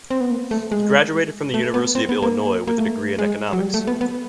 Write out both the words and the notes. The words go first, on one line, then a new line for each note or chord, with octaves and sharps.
He graduated from the University of Illinois with a degree in Economics.
C4
B3
A#3
A3
G#3
A3
B3
C4
B3
A#3
A#3
A3
G#3
F#3
G3
A3
B3
B3